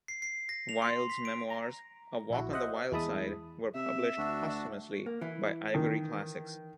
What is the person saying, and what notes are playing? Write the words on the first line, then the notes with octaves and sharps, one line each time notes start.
Wild's memoirs "A Walk on the Wild Side" were published posthumously by Ivory Classics.
C7
C7
A#6
F7
C6
B6
D7
A#5
A#1 E4 F#4
C5 D#5 E5 F#5
E2 G#3 E4 A5 B5 D#6
C3 E5
D2 D4 F#4
A#3
E3 E4
D#3